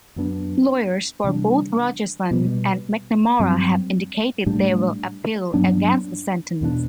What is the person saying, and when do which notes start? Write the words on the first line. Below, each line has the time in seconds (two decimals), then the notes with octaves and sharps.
Lawyers for both Rogerson and McNamara have indicated they will appeal against the sentence.
0.16 F#2 F#3 B3 D4
1.24 C3 E3 G3 D4
2.31 B2 G3 B3
3.39 G2 F#3 C4
4.46 A2 G3 D4
5.54 G2 F#3 B3 D4
6.61 E2 B2 A3 D4